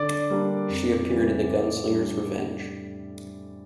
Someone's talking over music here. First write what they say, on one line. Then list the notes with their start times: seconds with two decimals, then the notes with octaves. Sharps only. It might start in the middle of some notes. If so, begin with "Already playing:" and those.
She appeared in "Gunslinger's Revenge".
Already playing: D3 D5 D6
0.30 G3 A#3 D4
0.69 F2
1.08 C#3 E3 G3
1.48 A2
1.87 G3 D4